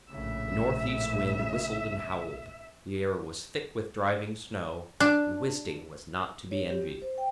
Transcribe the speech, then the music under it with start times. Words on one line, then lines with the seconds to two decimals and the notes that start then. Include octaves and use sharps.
The north-east wind whistled and howled, the air was thick with driving snow, and Wisting was not to be envied.
0.11 A#1 A2 C#3 E5
5.00 D4
6.51 C#5
6.70 G4
7.02 C5
7.18 G5